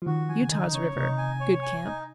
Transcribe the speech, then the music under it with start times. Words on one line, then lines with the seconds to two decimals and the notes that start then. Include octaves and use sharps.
Utah's River.--Good camp.
0.02 F3
0.06 D#3 F#4
0.29 F3 G#5
0.42 C#3
0.51 D#3 D#4
0.73 C#3 C#5
0.96 C3 D#4
1.18 G#5
1.40 C#5
1.63 G#5
1.85 D#4